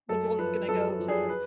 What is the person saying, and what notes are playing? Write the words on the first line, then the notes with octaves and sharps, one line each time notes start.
the world is gonna go to
F#2 A4
F3 B4
F#2 A4
A4
F3
G#4
B4